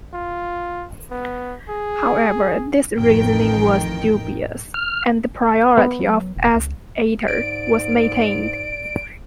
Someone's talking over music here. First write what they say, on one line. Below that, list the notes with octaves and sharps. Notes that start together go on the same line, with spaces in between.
However, this reasoning was dubious and the priority of "S. ater" was maintained.
F4
B3
G#4
A1 F2 D#3 A#4 G5
F6
B3
F#3
E1
C#2
G#2 D5 D7